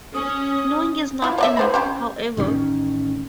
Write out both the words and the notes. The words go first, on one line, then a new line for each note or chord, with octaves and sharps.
Knowing is not enough, however.
C#4 D#6
E4 F4
C#5 D5 E5
E3 C5 B5
C#4 G4 C5
A1 D#3 A3 C#4